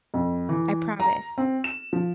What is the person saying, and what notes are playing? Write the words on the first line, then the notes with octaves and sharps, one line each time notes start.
I promise.
F2
E3
A#5
C4
E7
F3